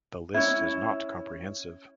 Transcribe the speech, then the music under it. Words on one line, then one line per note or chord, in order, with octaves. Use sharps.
The list is not comprehensive.
C#4 D4 E4